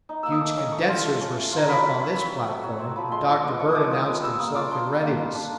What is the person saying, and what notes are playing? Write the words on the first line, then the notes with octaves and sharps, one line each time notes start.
Huge condensers were set up on this platform, and Dr. Bird announced himself in readiness.
D#4
A#3 E6
D#6
A3 D6
C#4
A3 C#6
F4 C6
A3
C#4
A3
F4
A#5
F#3 B5
A3
F#3 B5
C4
F#3
A3
F#3
C4
F3 B5
G#3 C6
F3 C#6
B3 D6
F3 C#6
D#6
G#3 D6
F3 D#6
B3
G3 E6
A#3 D#6
F4 D6
D4 C6
G3
A#3
F4
D4